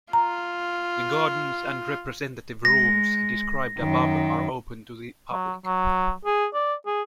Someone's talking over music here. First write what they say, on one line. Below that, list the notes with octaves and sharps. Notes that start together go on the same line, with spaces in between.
The gardens and representative rooms described above are open to the public.
F4 A#5
G#3 A#6
F#2 D#3
F#3
F#3
G#4
D5
G#4